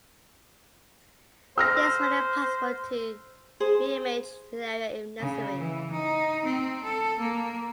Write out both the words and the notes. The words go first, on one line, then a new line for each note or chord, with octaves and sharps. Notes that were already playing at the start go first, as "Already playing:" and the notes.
This made it possible to reimage an area if necessary.
C5 E6 F6 A#6
G#4 C5
C#3
E3
D#4
C4
A4
A#3